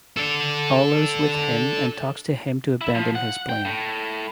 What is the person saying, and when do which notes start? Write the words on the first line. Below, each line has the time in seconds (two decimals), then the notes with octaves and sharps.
Arlo is with him and talks to him to abandon his plan.
0.17 A4 D5
2.81 E4
2.95 F3
3.15 F#5
3.49 G5
3.65 A2